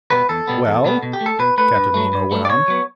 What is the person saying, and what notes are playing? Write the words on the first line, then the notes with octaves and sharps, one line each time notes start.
"Well?" Captain Nemo went on.
B2 G3 B3 B4
E2 A4
B2 G3 B3
E2
B2 G3 B3
B2
G4
A3
A4
B2 B4
A3 B4
G2
F#3 A3
G2
F#3 A3
D5
B2 C#5
F#3 B3